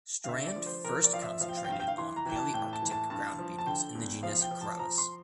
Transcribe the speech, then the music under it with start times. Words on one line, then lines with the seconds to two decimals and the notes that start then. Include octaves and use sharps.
Strand first concentrated on Palearctic ground beetles in the genus "Carabus".
0.24 F5
0.28 D3 E5
0.47 D5
0.56 F3
0.66 C5
0.84 F3 A#4
1.03 D5
1.13 F3 F5
1.22 E5
1.41 F3 F5
1.49 G5
1.57 F5
1.65 G5
1.69 G2 F5
1.80 G5
1.88 F5
1.98 E3 C6
2.16 A#5
2.26 E3 G5
2.35 A5
2.54 A2 G5
2.73 A5
2.82 E3
2.92 A5
3.10 G2 A5
3.39 F3
3.58 A5
3.66 D3 G5
3.95 E2
4.23 F3 F5
4.42 G5
4.51 F3
4.61 A5
4.79 F3 A#5
4.98 C6